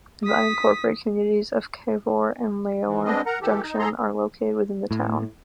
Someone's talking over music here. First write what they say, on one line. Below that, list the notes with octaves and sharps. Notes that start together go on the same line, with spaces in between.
The unincorporated communities of Cavour and Laona Junction are located within the town.
D#6 B6
E3
G#3 B3 C4 D4 D#5
A#4 F#5 A#5
E3 G4 A4
D#4
G#4 A4 A#5 C6
A2